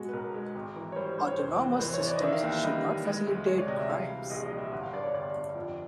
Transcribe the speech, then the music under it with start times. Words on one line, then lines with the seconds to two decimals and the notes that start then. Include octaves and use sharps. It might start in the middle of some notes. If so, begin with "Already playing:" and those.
Autonomous systems should not facilitate crimes.
Already playing: F#2 B2 G#3 F#4 G#4
0.08 B4
0.13 B1 A#4
0.34 G#3
0.55 G#1
0.76 E3
0.92 C#5
0.96 G3 C5
1.17 G3 C5
1.27 C#5
1.39 F1 C5
1.59 E3
1.72 B4
1.80 E3 C5
1.94 C#5
2.01 E3
2.08 D5
2.16 D#5
2.22 D#3 E5
2.32 F5
2.43 D#2 E5
2.63 G3 D#5
2.84 D#2
3.05 G#3
3.27 D2
3.47 G#3 C#5
3.58 D5
3.68 C3 D#5
3.79 E5
3.89 E3 F5
4.09 G3
4.30 A#1 D#5
4.45 D#5
4.52 G3
4.58 E5
4.72 G1 F#5
4.83 F5
4.93 G2 D5
5.03 C#5
5.14 G1 D5
5.35 G1
5.55 F2